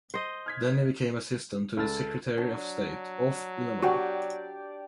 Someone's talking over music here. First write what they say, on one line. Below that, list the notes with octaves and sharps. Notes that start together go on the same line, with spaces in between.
Then he became assistant to the secretary of state of Illinois.
C5 D#5
F6 G#6 B6
C#2 A4 A5 F6 A6
F#3 D4
D4 F#4 G4 D5